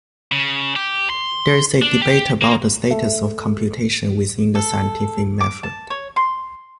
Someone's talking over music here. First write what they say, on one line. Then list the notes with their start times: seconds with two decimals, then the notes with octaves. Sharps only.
There is a debate about the status of computation within the scientific method.
0.32 C#3
0.76 G4
1.10 C6
1.82 D4
2.01 G4
2.42 A#3
2.90 A3
4.55 A4
5.41 D6
5.63 A5
5.90 C#5
6.16 C6